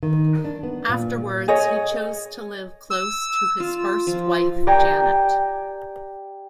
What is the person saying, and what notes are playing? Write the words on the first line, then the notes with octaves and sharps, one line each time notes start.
Afterwards he chose to live close to his first wife Janet.
D#3
D4
B3
A#2
G#4 C#5 D#5
E6
F4
F3
G4 D5 G5 G#5 A#5 G6